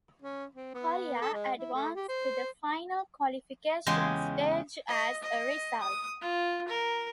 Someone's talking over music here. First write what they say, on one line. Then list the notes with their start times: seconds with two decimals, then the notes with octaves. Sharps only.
Korea advanced to the final qualification stage as a result.
0.22 C#4
0.55 C4
0.74 B3
1.21 A4
1.33 G#3
1.59 E4
1.74 A3
1.95 G4
2.08 C5
3.86 E2 C#3 G#3 F4 G4 C6
4.89 D#5
5.23 D#5
5.81 D#6
6.21 F4
6.68 A#4